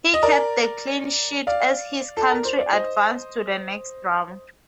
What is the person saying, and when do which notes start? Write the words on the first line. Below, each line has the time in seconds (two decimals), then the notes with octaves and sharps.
He kept the clean sheet as his country advanced to the next round.
0.14 D#5
0.23 A#4 D5
1.47 D5 F5
2.17 A4
2.31 A#4
2.45 C5
2.58 D5
2.73 C5 D#5